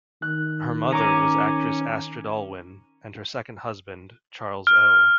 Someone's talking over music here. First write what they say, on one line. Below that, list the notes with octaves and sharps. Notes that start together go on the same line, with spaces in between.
Her mother was actress Astrid Allwyn and her second husband, Charles O.
D#3 F#6
C#4 A#5 D6
F6